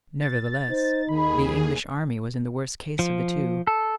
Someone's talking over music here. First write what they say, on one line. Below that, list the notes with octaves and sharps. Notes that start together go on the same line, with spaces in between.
Nevertheless, the English army was in the worse case of the two.
A6
D#4 C5
D#2 D#3 G#4 B5
F3
A4